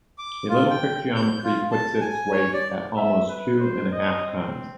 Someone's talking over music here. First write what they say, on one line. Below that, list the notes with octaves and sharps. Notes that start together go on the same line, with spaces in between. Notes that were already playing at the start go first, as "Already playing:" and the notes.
A little quick geometry puts its weight at almost two and a half tons.
D6
F4
G5
G6
F4
A5
G#5
C#5
D5
E5
B4
C5
D#5
C4